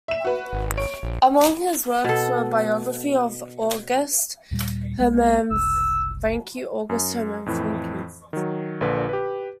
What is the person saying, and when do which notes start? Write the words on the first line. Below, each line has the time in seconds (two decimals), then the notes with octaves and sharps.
Among his works were a biography of August Hermann Francke, August Hermann Francke.
0.08 E5 E7
0.25 F#4 B4
0.53 G#1
0.77 C#5 D7
1.03 A#1
2.04 B2 A4
4.51 D#2 A#2 G3
4.99 B1 G#3 B3
5.51 F#1 C2 E6
6.89 F#2
7.46 F2 A2 E3
8.33 D#3 F#3
8.81 A#1 A#2 D3 B4
9.09 G4 B4